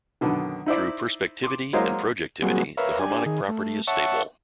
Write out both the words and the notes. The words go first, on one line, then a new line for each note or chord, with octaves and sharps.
Through perspectivity and projectivity, the harmonic property is stable.
F#2 B2 D3 D#3
D#4 E4 C5 D5
C6 D6
F#3 G#3 A#3 C5 D#5 F5
F#3 G3 A#3 C4 F#4 G#4
A#4 B4 C#5 E5 F5
D4 G4 G#5
D#3 G#4
A3
C#5 E5 F#5 A5 C#6